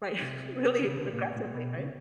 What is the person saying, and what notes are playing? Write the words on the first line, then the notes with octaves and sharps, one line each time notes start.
right, really aggressively, right?
C3
D3
C#3
D3
C3
A#2
A2
A#2
B2
C#3